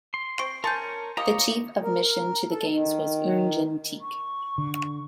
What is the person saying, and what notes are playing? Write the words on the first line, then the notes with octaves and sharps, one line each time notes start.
The Chief of mission to the games was Oon Jin Teik.
C6
C4 C#6 D7
C#4 A#4 C#5 G#5 A5 C6 G6
A#3 G4 C#5 D#5 A#5
A#4
A4
D#3
C#6
D3